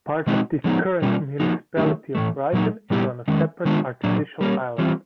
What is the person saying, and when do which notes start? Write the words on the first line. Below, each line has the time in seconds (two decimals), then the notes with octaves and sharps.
Part of the current Municipality of Brighton is on a separate artificial island.
0.27 B2 G#3 C4 D#4 F#4
0.64 D3 F3 G#3 B3 D#4
1.02 B2 G3 A#3 C#4 F4
1.40 F3 A#3 D#4 F#4
1.77 D#3 F#3 A3 D4 G4
2.15 A2 E3 A3
2.53 A#2 F#3 A#3 D#4
2.90 A#2 G3 B3 E4 G4
3.28 D#3 G#3 C#4
3.65 D#3 G#3 B3 D4 F4
4.04 A#2 F#3 A#3 D4
4.41 G3 A#3 C#4
4.78 E3 G3 C4 F4